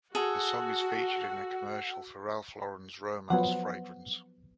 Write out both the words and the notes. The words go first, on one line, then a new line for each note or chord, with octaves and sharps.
The song is featured in a commercial for Ralph Lauren's Romance fragrance.
F#4 G#4 A4 F#5
F3 F#3 B3 F#5